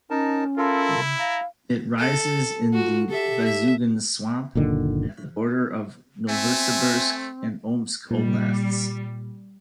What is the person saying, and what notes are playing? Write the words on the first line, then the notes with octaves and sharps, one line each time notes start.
It rises in the Vasyugan Swamp at the border of Novosibirsk and Omsk oblasts.
C#4 D#4 A#4 A5
E4 F4 A4 A#4
F5 A#5
A4
F4 F#4
G4 A4 E5
E5
F#1 A#2 D3 D#3
A3 C4 E5 G#5
A#2 G3